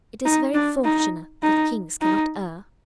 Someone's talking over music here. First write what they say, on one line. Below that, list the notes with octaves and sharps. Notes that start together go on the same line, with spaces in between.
It is very fortunate that kings cannot err.
D#4
D4
D#4
D#4
D#4